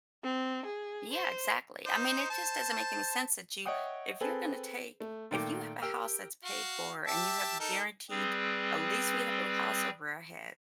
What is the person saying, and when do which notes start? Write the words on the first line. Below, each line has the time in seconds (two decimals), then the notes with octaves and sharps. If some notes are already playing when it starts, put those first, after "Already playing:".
Yeah, exactly. I mean it just doesn't make any sense that you if you're gonna to take if you have a house that's paid for and you have guaranteed at least we have a r house over our heads,
0.23 C4
0.65 G#4
1.13 C5
1.86 D#4 C5
2.30 C5 A5
3.65 C#5 D#5 E5 F#5 G5 D#6
4.21 C4 G#4 A4 B4
5.00 A3
5.31 A#2 D#3 A3 G5 D6
5.82 G4 A#4 G5 E6 F6
6.44 F#4 F5
7.07 G4 E5 A5
7.60 D#4 A4 A#4
8.10 G3 C4 G#4 B4